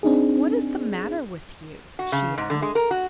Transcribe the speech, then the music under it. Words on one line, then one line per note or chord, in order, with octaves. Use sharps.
"What is the matter with you?" she asked.
C4 D4 D#4 G#4
F#4
C#3
G#2
D3
G#3
A#4
F#4